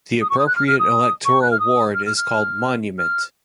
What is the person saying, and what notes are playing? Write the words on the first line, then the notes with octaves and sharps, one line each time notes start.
The appropriate electoral ward is called 'Monument'.
D#6
C#6
D#6
F#6
F6
F6
D#6
C#6
F#6
F6
D#6
F6
F6
F6
F6